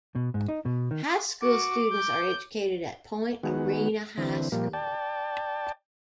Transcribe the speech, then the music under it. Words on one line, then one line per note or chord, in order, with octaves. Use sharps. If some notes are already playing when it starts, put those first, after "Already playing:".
High school students are educated at Point Arena High School.
B2
G#2
D#4
B2
D#3
F#4 D6
G6
D#3 G#3 B3 F#4
D3 E3 C4
A#2 F3 G3 A#3
D5 G5 A5